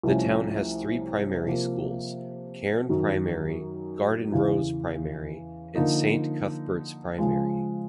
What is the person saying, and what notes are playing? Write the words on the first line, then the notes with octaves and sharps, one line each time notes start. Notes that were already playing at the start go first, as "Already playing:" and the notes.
The town has three primary schools: Cairn Primary, Gardenrose Primary and Saint Cuthberts Primary.
C2 C3 F3 A3 C#4
C3 F3 A#3
F#2 D#3 F#3
E2 C#3 E3
D3 F3 A#3 D#4
C#3 F3 G#3